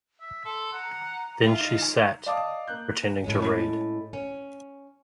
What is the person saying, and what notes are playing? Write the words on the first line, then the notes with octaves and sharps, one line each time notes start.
Then she sat, pretending to read.
E5
A4 C6
F#5 A#5
F4 E5
D#4
D5 D#5 F5 A5 D6 D#6
A#3 F#6 G6
A2 G#3 C#4
C#4